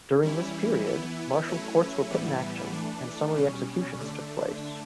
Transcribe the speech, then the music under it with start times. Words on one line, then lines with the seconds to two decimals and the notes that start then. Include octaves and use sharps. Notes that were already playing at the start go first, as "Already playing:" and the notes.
During this period martial courts were put in action and summary executions took place.
0.22 E3 G3 C#4 E4
0.85 E3 B3 E4
1.48 F#3 A3 C#4 E4
2.10 A2 E3 G3 B3 E4
2.73 E3 A3 D4
3.36 B2 G3 C#4
3.99 D3 A3 D4